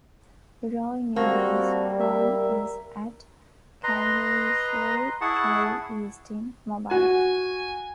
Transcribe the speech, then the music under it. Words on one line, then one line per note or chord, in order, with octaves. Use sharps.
Roy Neary's home is at Carlisle Drive East in Mobile.
G3 A#3 C4 F#4 A4
A#4 E5
B4 D#5 A#5 C6
E4 G#4 F#5 A5 C#6
F#4 G#5